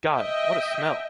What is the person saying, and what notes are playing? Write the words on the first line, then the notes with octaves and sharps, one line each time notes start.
God! What a smell!
D#5 E5 G5